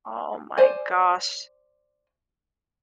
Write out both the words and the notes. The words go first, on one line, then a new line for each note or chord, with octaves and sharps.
Oh my gosh.
C5 D5 G#5